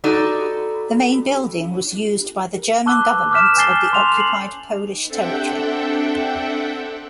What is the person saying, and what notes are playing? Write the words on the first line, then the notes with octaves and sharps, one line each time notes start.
The main building was used by the German government of the occupied Polish territory.
D#4 F#4 A4 D5
A5 C#6 D6 E6 F#6 G7
D6 D#6 F6 G6 B6 E7
G#5 G6 A6 C7 G7
F6 G6 G7
C6 F7
C7 F#7
C4 D4 A4 E5 F#5 G5